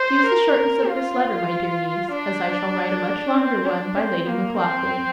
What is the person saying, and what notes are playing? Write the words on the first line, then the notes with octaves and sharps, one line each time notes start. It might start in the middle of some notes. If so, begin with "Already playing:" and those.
Excuse the Shortness of this Letter, my dear Niece, as I shall Write a much Longer one by Lady Maclaughlan.
Already playing: C5
A#4
F4
D4
C4
D4
C4
A#3
C4